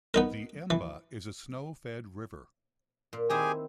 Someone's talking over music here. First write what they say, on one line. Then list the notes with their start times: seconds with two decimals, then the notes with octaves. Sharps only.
The Emba is a snow-fed river.
0.14 B3 D#4 A#4
0.70 E3
3.13 A#2
3.30 D#3 C4 E4 G4 G#4 G#5